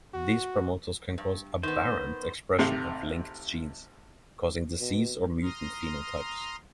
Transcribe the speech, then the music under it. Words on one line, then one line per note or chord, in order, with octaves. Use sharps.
These promoters can cause aberrant expression of linked genes, causing disease or mutant phenotypes.
F#4
G2
D#3 B3 C5
G#1 C3 A3
B2
A#5 C6 D#6 F6